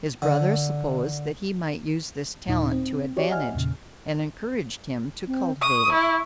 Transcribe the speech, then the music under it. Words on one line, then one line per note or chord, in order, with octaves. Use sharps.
His brother supposed that he might use this talent to advantage, and encouraged him to cultivate it.
D3
D#2 A#2 D#4 D#6
C4
F#4 G4 C#5 D5
D#5 E5 F#5 G#5 F6
E2 A#2 C#3
C4
C#6 D#6
E4